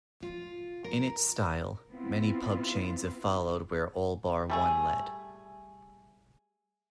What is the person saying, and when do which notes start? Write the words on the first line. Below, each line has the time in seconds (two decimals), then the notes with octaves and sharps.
In its style, many pub chains have followed where All Bar One led.
0.23 F4
0.84 A#4
1.89 B3 C4 E4 F4
4.50 G3 A3 G#4